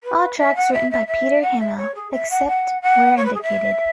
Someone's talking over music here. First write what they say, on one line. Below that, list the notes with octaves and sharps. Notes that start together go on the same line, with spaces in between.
All tracks written by Peter Hammill, except where indicated.
B4
E5
F#5
E5
E5
E5
F#5
E5
C#5
G#4
E5
F#5
F#5
F#5
C#5
B4
G#4
E5